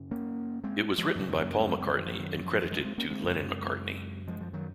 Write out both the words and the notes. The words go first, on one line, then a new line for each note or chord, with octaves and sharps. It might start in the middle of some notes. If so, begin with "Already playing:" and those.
It was written by Paul McCartney and credited to Lennon-McCartney.
Already playing: F#2 C#3
A#3 C#4
G#3 C4
F3 G#3
F#2 C#3 F3
F3 G#3
F#3 A#3
G#3 C4
G#3 C4
G#3 C4
D#3
F3
D#3 F#3
F3
F3 G#3
G#3 C4
A#3 C#4
G#3 C4
F#2 C#3
F3 G#3
F3
D#3 F#3